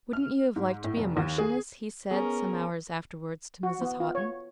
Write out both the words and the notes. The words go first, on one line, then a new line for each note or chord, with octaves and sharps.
"Wouldn't you have liked to be a marchioness," he said, some hours afterwards, to Mrs. Houghton.
F6
G#2
A2
F1
D#2
G#4
B3 C#4 G#4 A#4
F#4
B3
F4
C#5